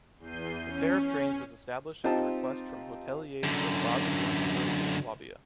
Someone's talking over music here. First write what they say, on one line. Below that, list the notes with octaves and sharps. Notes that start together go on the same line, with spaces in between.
The pair of trains was established at the request from hoteliers from Baden-Württemberg and Swabia.
E2 G6 C7 D#7
C#4
C4 D#4 F4 G4 A5
F#2 D3